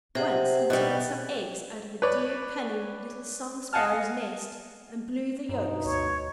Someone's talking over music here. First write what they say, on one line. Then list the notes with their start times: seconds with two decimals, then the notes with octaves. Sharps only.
Once he took some eggs out of a dear, cunning, little song-sparrow's nest, and blew the yolks.
0.15 C3 G#4 C5 F#5
0.70 B2 D#3 G3
2.02 B4 C#5 D5
3.73 D#5 F5 F#5 G#5 A5 F6
5.49 G2 B2 D#4
5.85 D2 C#5